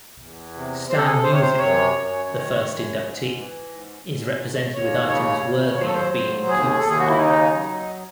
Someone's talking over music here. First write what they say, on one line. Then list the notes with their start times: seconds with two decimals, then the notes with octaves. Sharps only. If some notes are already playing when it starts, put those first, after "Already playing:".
Stan Musial, the first inductee, is represented with items worthy of being in Cooperstown.
0.18 E2
0.54 C3
0.89 C3 C5
0.96 A4
1.04 G#4
1.12 A4
1.23 C3 C5
1.32 C#5
1.41 C5
1.58 F#2 C#5
1.94 F#2
2.29 D#3
2.63 F#2
2.98 G#2
3.34 E3
3.68 G#2
4.03 G#2
4.38 D#2
4.73 D#2 C#5
5.08 C#3 C#5
5.43 D#2
5.78 F#3 C5
5.86 A4
5.94 C5
6.13 D#2
6.47 D#2 G#4
6.78 D#2 A4
6.89 G#4
6.99 F#4
7.08 E4
7.18 C#3 D#4
7.53 F#3